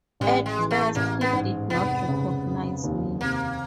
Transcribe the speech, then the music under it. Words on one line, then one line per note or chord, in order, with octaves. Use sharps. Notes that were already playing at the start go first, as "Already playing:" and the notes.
At first he did not recognise me.
A1 G3
G#3
E3
A3
A1 A#3
B3
G#2
F1 B3
C#3
F1
D#2
C3 A#3